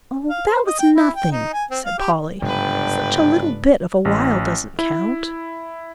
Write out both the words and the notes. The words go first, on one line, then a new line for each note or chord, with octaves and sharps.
"Oh, that was nothing," said Polly, "such a little bit of a while doesn't count."
F5
C5
D#5
G5
E4
G5
D#4
G#5
C4
F5
G4
G1 G#2 C#3 F#3 D4 B4 G5
A1
E4